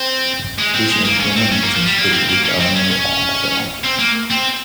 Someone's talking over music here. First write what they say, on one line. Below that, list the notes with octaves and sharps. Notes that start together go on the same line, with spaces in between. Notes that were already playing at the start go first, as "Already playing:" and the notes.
This instrument is scraped with a nail or butter knife.
Already playing: C4
G#3
C4
G#3
A#3
C#4
C4
C#4
A#3
F3
G3
A#3
C4
A#3
C#4
C4
C#4
C#4
C4
A#3
C4